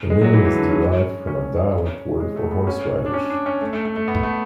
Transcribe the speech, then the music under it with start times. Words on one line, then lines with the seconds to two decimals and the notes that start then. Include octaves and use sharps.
The name is derived from a dialect word for horseradish.
0.10 G#3
0.21 F#3
0.33 E3
0.45 E3
0.57 D3
0.69 C#4
1.27 C#4
2.20 G#3
2.36 A3
2.51 B3
2.67 C#4
3.06 D4
3.14 C#4
3.30 D4
3.46 C#4
3.61 A3
3.73 A3
3.85 A3
3.96 A3
4.08 B3
4.23 A3